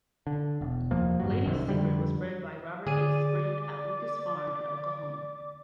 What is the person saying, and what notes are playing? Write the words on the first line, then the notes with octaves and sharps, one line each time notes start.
Lady's Secret was bred by Robert H. Spreen at Lucas Farm in Oklahoma.
D3
E1
F1 D#2 F3 A#3
D1 G2 F#3
C2 F#2 C3 D#3
F2 D3 G3
D3 G#4 D5 D6 D#7